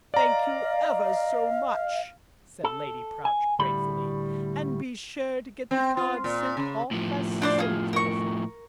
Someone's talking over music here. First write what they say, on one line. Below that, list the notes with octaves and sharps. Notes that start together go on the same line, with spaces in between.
"Thank you ever so much," said Lady Prowche gratefully, "and be sure to get the cards sent off as soon as possible."
D5 D#5 F5 A#5
A4
G#5
D2 A2 G3 B5
C4
F4
A#2
C#3
A2 F3
D4 C5 D5
F4 G#4
A#4 C#6